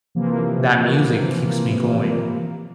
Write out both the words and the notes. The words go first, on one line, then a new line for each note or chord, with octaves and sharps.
that music keeps me going.
C3 E3 F3 A#3